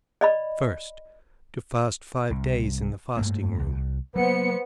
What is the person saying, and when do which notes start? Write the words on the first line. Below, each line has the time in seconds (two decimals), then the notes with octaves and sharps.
First.--To fast five days in the fasting room.
0.21 D5 D#5 B5
2.30 C2
3.17 G2 A3 A#3
3.59 C2
4.16 F#3 A#3 B3 C5 C#7